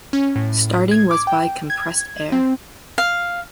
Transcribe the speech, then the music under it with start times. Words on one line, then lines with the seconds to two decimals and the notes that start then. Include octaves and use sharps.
Starting was by compressed air.
0.13 C#4
0.36 A2
0.91 G#6
1.11 D6
1.27 G5
1.70 G#6
2.32 C4
2.98 F5